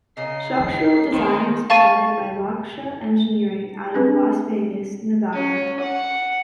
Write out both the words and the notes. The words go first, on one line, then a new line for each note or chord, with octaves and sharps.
Structural design was provided by Lochsa Engineering out of Las Vegas, Nevada.
C#3 A#4 D#5 C7
D#4 E4
D#3 C4 C5
F5 A5 C#6 A6 D#7
C4 D4 G#4 B4
C#4
F#5